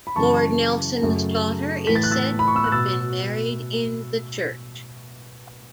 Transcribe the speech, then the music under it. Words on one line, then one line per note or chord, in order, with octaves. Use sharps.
Lord Nelson's daughter is said to have been married in the church.
B5
F#2 C#3 E3 A5 C#6
F#2 C#3 A3
A2 E3 A3 B6
A6
F#6
E6 A6
B5
C#6
E6
F#6
B2 E6 A6